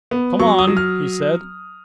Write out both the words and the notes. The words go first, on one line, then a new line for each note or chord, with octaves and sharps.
"Come on!" he said.
B3
F#3 C#6
D#6
F#3
F6